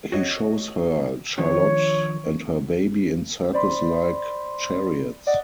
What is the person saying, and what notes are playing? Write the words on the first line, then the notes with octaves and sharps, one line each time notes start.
He shows her Charlotte and her baby in circus-like chariots.
F#4 C#5 D#5
D#3 F3 D4 C#5
C5 D5 B5 C6
D5 D#5 F#5